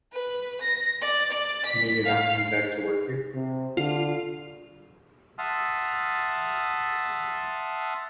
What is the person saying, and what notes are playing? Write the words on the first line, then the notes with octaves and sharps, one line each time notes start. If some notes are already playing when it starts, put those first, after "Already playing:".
You mean you're not coming back to work here?
B4
A#6
D5
D5
B6
F5
C7
C3
D3 F4
E5 F#5 A5 C6 D#6 F6